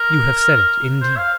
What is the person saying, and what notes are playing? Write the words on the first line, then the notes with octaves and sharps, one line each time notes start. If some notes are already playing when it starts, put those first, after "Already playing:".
You have said it, indeed.
Already playing: A#4
C5
F5